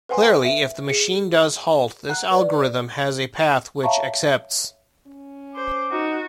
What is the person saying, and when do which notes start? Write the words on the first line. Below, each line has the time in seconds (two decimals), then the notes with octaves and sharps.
Clearly, if the machine does halt, this algorithm has a path which accepts.
0.09 B4 C5 F#5 G#5 C6
0.45 E5
0.87 G#4 C#7
2.09 F#5 A#5 F#6
2.31 B4 D5
3.83 C#5 E5 F5 A5 A#5 C#6
5.07 C#4
5.55 C5 D6
5.91 D#4 F#4